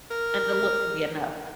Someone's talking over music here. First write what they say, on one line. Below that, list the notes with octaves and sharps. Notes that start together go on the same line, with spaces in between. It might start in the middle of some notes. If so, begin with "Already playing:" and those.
and the look can be enough.
A#4